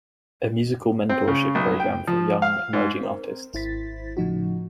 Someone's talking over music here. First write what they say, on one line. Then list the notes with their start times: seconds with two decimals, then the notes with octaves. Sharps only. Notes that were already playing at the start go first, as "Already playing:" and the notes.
A musical mentorship program for young emerging artists.
1.09 C4
1.28 C#3
1.55 B1
1.80 G5
2.08 F3
2.42 F5
2.73 G#2
3.01 C4 A#4 C5
3.54 G#1 E4 C5 A6 B6
4.17 A2 C#3 F3 D#4 F#4